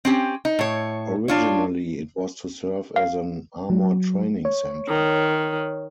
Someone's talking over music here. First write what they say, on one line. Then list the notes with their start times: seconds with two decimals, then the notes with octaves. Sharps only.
Originally it was to serve as an armor training center.
0.05 C4 C#4 G4
0.45 D#4
0.59 A2 C#5
1.28 D4 F4 C#5
2.96 F5
3.70 F#3
4.45 C#5
4.88 D#3